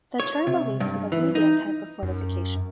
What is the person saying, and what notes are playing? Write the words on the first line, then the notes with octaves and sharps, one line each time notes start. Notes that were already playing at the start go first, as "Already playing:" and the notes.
The term alludes to the "Redan" type of fortification.
C#5
C3
G2
E3
D#4
F#2